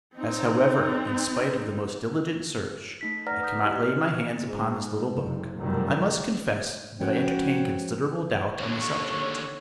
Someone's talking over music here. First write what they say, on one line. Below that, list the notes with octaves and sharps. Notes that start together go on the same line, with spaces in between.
As however, in spite of the most diligent search, I cannot lay my hands upon this little book, I must confess that I entertain considerable doubt on the subject.
C4 D#4
A3 D#4 B6
B4 D5 F#5 A#5 F6 A#6
D#6 G6 B6
D#4 E4 G4 D#5
F6
G#2
F#1 C3
F1 F#2 B2 D#3 G3 A3
F3 G#3 C#4 F#4 B4 C#5 G5
D#2 D3 C#5